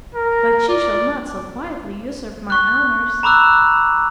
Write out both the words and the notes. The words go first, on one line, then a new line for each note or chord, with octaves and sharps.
But she shall not so quietly usurp my honors.
A#4
D5
C#6 F#6
A#5 B5 D6 E6 F#6